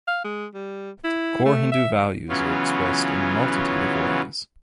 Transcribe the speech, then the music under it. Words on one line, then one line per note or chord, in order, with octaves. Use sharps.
Core Hindu values are expressed in multitude of ways.
F5
G#3
G3
E4
A3
E5
C#3 E3 F#3 B3 C#4 F4